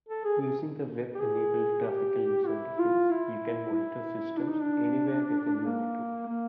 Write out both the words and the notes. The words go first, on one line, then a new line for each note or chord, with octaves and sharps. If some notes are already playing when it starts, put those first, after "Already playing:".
Using the web-enabled graphical user interface, you can monitor systems anywhere within your network.
A4
G#4
G#4
G4
G#4
G4
E4
F4
E4
E4
D4
D#4
D4
A#3
A#3